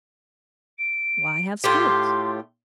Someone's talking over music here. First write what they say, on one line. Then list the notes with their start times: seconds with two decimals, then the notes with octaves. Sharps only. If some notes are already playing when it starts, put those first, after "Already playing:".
"Why have schools?"
0.78 D7
1.64 A2 F4 G4 C6